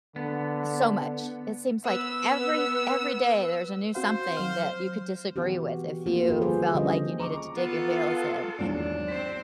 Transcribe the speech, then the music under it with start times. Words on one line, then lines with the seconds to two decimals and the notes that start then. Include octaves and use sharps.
so much. It seems like every every day there's a new something that you could disagree with if you felt like you needed to dig your heels in,
0.16 D3 B3
1.86 B3 E6
3.95 C4 F#4 C5 F5
4.37 F#3 F6
5.36 E3 B3 C4 F#4 G4
6.06 A#3 C4 F4
6.28 F3 A#3 G4 A4 B4
6.42 D3 G3 G#4 C5
6.75 D3 G3 C#4 D#5
7.19 A#5 C#6 D6
7.57 B3 F4 A4
8.59 G#1 E2 F#3 D4
9.08 C4 C5 B6